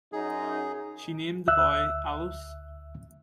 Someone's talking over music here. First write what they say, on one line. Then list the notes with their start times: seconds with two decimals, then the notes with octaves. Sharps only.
She named the boy Alois.
0.13 F#2 D#4 G#4
1.48 D2 E5 E6 F#6